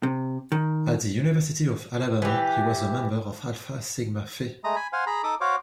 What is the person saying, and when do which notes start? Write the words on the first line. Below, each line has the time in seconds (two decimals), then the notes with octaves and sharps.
At the University of Alabama he was a member of Alpha Sigma Phi.
0.03 C3
0.52 D#3
2.22 E3 G4
4.64 G#3 A3 A#5 D#6
4.76 G#5 B5
4.93 C5 F5 F#5 G#5
5.07 G#4 A#5 B5
5.24 D#4 A4 D6 D#6
5.41 F#4 C5 C#5 F5 D6